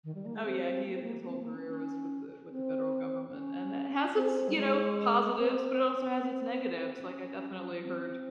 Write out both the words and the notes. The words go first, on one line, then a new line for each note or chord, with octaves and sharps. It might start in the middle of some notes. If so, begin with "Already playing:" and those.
Oh, yeah. He, uh his whole career was with the with the federal government. And it has its, you know, positives, but it also has its negatives. Like, I definitely heard
D#3
G3
A#3
G#3
C4
A#3
C4
A#3
A#3
C4
A#3
C#4
C#4
C4
C#4
C4
G3
G#3
C4
C4
C#4
C4